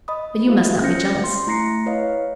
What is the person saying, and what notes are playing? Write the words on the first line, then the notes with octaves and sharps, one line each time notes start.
"But you must not be jealous."
D#5 B5 D#6
E4 F#4 E5 F5
C#4 C5 G6 A#6 C#7
C6
A3 E4 A#5 A#6 C7 C#7
E4 B4 C#5 D#5 F5